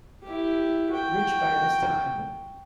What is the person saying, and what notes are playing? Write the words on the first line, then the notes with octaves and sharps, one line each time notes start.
Rich by this time.
E4 G4
F#4 G5